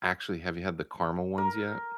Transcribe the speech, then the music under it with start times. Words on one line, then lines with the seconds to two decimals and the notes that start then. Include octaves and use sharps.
Actually, have you had the caramel ones yet?
1.38 A#4